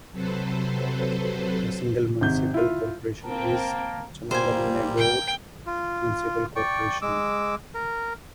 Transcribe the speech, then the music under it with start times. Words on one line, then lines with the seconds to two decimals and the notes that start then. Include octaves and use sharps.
The single municipal corporation is Chandernagore Municipal Corporation.
0.11 C3 F#3 A4 B4 C5
2.21 G#1 C3 G6
2.54 E4 F4
3.24 A#3 C4 A#4 G5 A5
4.31 G3 A#3 C5 G#5
4.97 G5
5.67 F4
6.56 D5 G5 C#6
7.02 G#3 D6 E6
7.75 A#4